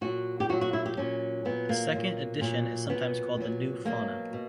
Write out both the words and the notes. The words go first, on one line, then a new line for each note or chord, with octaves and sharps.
The second edition is sometimes called the "new fauna".
A#2 F#3 F#4
G4
A#2 F#3 F#4
F#4
E4
G4
A#2 F#3 C#4
A#2 F#3 B3
A#3
A#2 F#3
A#2 F#3
A#2 F#3 B3
A#2 F#3
B2 F#3 A#3
B2